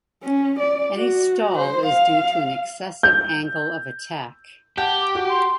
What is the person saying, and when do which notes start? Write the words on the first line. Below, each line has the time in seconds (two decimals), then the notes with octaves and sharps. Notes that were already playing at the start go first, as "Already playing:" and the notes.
Any stall is due to an excessive angle of attack.
0.23 C#4
0.59 D5
0.97 F#4
1.57 C5
1.86 F5
3.03 G6
4.78 G4 F#5 A5 G6
5.01 D6
5.15 F#4
5.29 C6